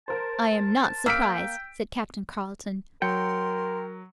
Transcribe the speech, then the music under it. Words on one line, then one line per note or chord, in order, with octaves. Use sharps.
"I am not surprised," said Captain Carleton.
A#4 C5 A5
A#3 G5 E6 B6 D7
F#3 A#4 G5 C6 C#7